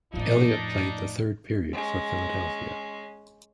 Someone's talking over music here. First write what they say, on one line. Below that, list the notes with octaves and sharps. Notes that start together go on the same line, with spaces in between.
Elliott played the third period for Philadelphia.
F2 A2 F3 D4 D#4
G#3 C#4